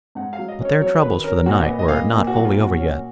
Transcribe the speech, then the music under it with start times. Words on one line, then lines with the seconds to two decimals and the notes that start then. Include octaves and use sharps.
But their troubles for the night were not wholly over yet.
0.15 G#2 F#5
0.33 F5
0.38 F#3
0.48 D#5
0.60 C#4
0.65 C#5
0.81 F#3 C#5
1.02 D#3 B4
1.24 C#4 A#4
1.46 A#2 F#4
1.62 D#5
1.68 B3
1.79 D#5
1.88 A#2 F5
1.95 D#5
2.12 A#2
2.27 F#4
2.34 F#3
2.45 F4
2.55 A#2
2.61 F#4
2.77 C#4